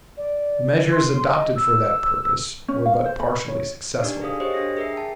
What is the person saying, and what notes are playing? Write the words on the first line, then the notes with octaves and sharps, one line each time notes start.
The measures adopted for that purpose were but partially successful.
D5
C6
D#5
E6
C#4
F5
C5
B5
C#5
D4 D#4 G4 D5
G#4 A4 F5 D#6
F#4 G4 A4 C5 C#5 D#5
D4 D#6 A#6
G#4 A#4 E5 C7
G5 A5